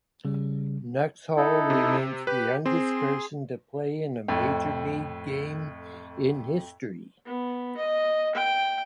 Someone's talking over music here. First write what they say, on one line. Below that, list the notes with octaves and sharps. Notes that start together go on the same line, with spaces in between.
Nuxhall remains the youngest person to play in a major league game in history.
C#3 G3
D#4 E4 A4
C3
G4 B4
C4 G#4 C6
F2 A2
B3
D#5
G5